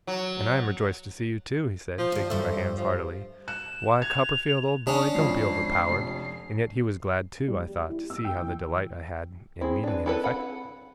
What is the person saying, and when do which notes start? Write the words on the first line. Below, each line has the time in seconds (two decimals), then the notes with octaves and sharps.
'And I am rejoiced to see you, too!' he said, shaking my hands heartily. 'Why, Copperfield, old boy, don't be overpowered!' And yet he was glad, too, I thought, to see how the delight I had in meeting him affected me.
0.07 F#3
1.98 F3
2.12 G2 D4
2.30 G2 A3 C5
2.77 F3
3.48 F#6 E7
4.02 G#6 F7
4.87 C#4 D4 D#6
5.15 G#1 F2 C7
5.89 F1
7.48 G3
7.89 E4
8.10 E6
8.25 G5
8.41 E3
9.61 C4 E4 G#4
9.83 D4 B4
10.06 E4 A4 B4
10.24 F#5 B5